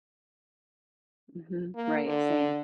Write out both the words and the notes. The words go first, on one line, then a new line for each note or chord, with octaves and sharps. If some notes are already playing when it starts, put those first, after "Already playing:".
Mhm. Right. Same.
A#3
D3